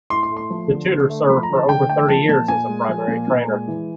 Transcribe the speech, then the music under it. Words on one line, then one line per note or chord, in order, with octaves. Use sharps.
The Tutor served for over thirty years as a primary trainer.
A2 C6
C6
A3
C6
F3
D3
D3
A3
F3 B5
A#5
D3
A5
D3 G5
A3 G5
F3 A5
A#2 A5
A#2 G#5
G#3
F3
A#2
A#2
G#3
E3